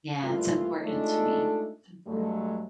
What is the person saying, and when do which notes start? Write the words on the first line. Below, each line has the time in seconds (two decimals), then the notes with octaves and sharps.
Yeah, it's important to me, it's important.
0.23 G2 A#2 E3 A3 F4
0.81 G#3 A3 D4 D#4 F4 A4
2.07 G2 F#3 G#3 A3